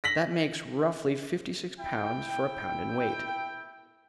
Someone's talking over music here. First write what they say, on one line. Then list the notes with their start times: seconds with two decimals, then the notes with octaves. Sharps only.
That makes, roughly, fifty-six pounds for a pound in weight.
0.04 A#6 B6 F#7
1.80 E4 G5